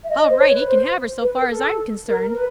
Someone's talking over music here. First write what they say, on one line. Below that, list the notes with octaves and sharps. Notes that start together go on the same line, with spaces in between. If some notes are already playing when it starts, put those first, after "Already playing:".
All right, he can have her so far as I am concerned.
E5
D#5
C5
C#5
B4
C5
B4
A#4
A4
A#4
B4